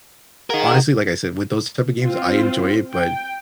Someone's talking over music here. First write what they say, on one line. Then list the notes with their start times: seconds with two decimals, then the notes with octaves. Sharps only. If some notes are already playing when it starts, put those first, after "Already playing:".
honestly like I said, with those type of games I enjoy it but,
0.50 D#4 G#4 A#4 F5 F#5
2.03 C4 F4
2.93 G5